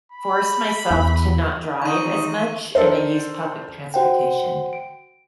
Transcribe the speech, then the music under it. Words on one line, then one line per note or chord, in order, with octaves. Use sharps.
force myself to not drive as much, and I use public transportation.
B5
E2
D#3 E3 C4 D#4 C#6 D#6 D#7
D4 A4 A#4 C5
F#4 C5 F#5 G5
D7